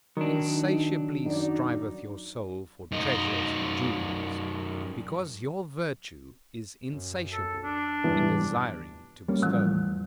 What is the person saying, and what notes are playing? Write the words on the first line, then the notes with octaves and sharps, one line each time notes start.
Insatiably striveth your soul for treasures and jewels, because your virtue is insatiable in desiring to bestow.
D#3 F#3 D4 D#4
F#2 D#4 F#4 D5
F#2 D#4
F#2
A4
D4
F1 G#2 E3 G3 B3
G3 A#3 C#4
A2 E3 F3 G3
E2